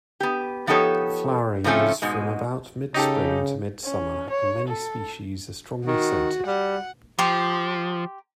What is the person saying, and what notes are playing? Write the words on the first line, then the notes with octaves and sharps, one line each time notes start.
Flowering is from about mid-spring to mid-summer, and many species are strongly scented.
B3 G4
F3 B3 D#4 G4 A4 C#5
A2 C#3 F3 A3 C4 C#4
G#2 B2 G#3
C#3 D#4 G4 A4
C#4
C#5
A4
D#3 F#4
G3 F#5
F3 G4 A#5 C6